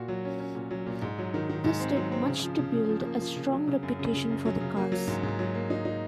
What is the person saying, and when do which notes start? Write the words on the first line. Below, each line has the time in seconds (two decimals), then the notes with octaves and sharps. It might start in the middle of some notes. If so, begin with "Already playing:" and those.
This did much to build a strong reputation for the cars.
Already playing: A#2 F#4
0.08 F#3
0.25 C#4
0.40 C#4
0.55 A#2
0.71 F#3
0.87 A#2
1.02 G#2
1.18 F#3
1.34 D#3
1.50 D#3
1.64 G#2
1.80 C4
1.96 F#3
2.12 C4
2.27 C#3
2.43 F3
2.58 C#3
2.74 C#3
2.89 F3
3.05 A#3
3.21 F3
3.36 C#3
3.52 F#3
3.67 C#3
3.83 F#2
3.99 C#3
4.14 C#3
4.30 F#2
4.45 F#3
4.60 C#3
4.77 A#3
4.92 F#3
5.07 G#2
5.23 G#2
5.39 F#3
5.55 A#3
5.70 D#4
5.85 D#4